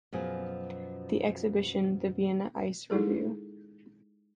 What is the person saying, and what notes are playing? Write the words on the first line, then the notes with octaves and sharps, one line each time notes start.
The exhibition The Vienna Ice Revue.
F#2 B2 F3 G#4
G#3 D#4 E4 G#4 A4